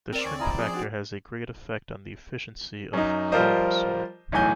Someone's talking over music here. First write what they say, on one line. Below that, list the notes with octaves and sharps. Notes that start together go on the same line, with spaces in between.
The shrink factor has a great effect on the efficiency of comb sort.
C4 A#4 D5
D#2 C#5 G#5 C#6
E4 F4 D#5 G#5 A#5 B5
F3 G#4
D4 D#4 F#4
F#2 D#4
F3 G3 F4 A#4 C5 D#5
B1 E2 A2 G#5 G6